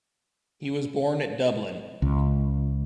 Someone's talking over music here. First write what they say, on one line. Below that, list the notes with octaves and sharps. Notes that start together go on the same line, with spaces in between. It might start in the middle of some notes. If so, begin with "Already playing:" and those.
He was born at Dublin.
C#2